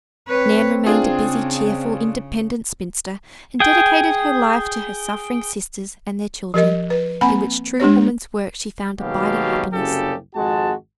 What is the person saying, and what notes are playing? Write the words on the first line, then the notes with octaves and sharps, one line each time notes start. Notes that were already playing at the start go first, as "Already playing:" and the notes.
Nan remained a busy, cheerful, independent spinster, and dedicated her life to her suffering sisters and their children, in which true woman's work she found abiding happiness.
C4 B4 C#5
C#3 D4 F4 G#4
G#4 G5
F3 G4 A#4 D#5
B4
A#3 C4 F#5 G#5 B5
G#3 D4 G4 C#5
D#2 B2 F#3 G#3 G4 F5
F#1 C2 F#2 C#3 G4 A4
G#1 F2 G#3 F#4 A5